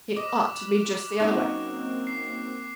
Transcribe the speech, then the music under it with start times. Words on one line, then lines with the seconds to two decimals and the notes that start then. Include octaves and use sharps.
It ought to be just the other way.
0.16 D#5 B5 D6 F6 F#6
1.20 F#3 A#3 C4 C#4 D#4 F#6
2.07 C7